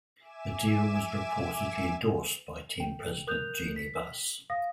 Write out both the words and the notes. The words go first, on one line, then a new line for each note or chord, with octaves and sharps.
The deal was reportedly endorsed by team president Jeanie Buss.
E5 G#5 D6 E7
G5
A#4 D#6 F#6 G6 F7
B6
F5 D#6 A#6